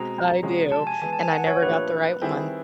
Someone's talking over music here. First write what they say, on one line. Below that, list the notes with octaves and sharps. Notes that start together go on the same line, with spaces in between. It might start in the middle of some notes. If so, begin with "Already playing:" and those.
I do, and I never got the right one.
Already playing: B2 G#3 C4 A#5
C3 F3 G#3 C#4 F#4
A5
G#5
E3 G#3 B3 G#5
A5
G#5
F#5
C#5
A#2 F3 A3 D4 G4 B4
D#3 G3 C4 E4 G#4